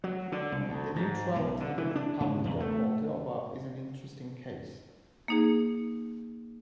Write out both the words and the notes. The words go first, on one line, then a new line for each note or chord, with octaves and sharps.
The neutrality of Republic of Moldova is an interesting case.
F#3
D3
C2
D2
G#2
B1
D3
E3
D4
G#2
E2
A3
A#3 D#4 G#4